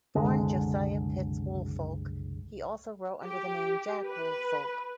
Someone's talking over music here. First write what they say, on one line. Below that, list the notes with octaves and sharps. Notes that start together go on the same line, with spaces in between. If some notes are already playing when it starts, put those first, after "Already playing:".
Born Josiah Pitts Woolfolk, he also wrote under the name Jack Woolfolk.
F#1 C2 D3 G#3
G4
B4